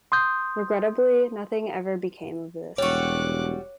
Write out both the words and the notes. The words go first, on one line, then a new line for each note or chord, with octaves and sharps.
Regrettably, nothing ever became of this.
C6 D#6 G6
E1 G3 F#4 C#5 D6 F#6